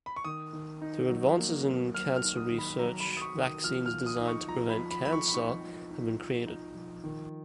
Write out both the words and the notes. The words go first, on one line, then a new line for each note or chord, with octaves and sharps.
Through advances in cancer research, vaccines designed to prevent cancer have been created.
B5
C#6
D#3 D#6
D#3
D#4
F#3
A#3
F#3
F#3 F6
F6
D#4
D#6
D#3
B5
F#3 A#5
B5
F#3
D#6
C#6
D#3
D#6
F3 F6
F6
F3
D#6
D#4
C#6
F3 A#5
B5
F3
B5
F3 B5
C#6
B5
D#4 C#6
F3
D#4
F3
D#4
F3
D#3